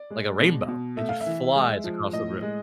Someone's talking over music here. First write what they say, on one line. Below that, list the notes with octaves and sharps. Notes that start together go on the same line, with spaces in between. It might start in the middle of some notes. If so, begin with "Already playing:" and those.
like a rainbow, it just flies across the room.
Already playing: D5
G#3
B2
B2
A3 E5
F5
E5
E3
G#3
F3
A2 D#5
G#3